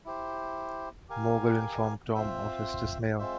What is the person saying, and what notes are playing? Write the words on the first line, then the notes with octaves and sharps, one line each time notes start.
Mogul informed Tom of his dismissal.
E4 G4 C5
G4 A#4 F5 G#5
C4 F4 C5 E5
G#3 C4 F4 C5 E5